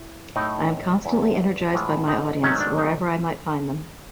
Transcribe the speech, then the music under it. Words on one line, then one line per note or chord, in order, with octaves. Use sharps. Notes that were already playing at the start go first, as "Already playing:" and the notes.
I am constantly energized by my audience - wherever I might find them.
Already playing: E4
A2 F#3 A3 D#4
E2 C#3 F#3 E4
A2 E3 G#3 F4
D#4
G#2 D#3 F#3 A3 C#4
D4
D#4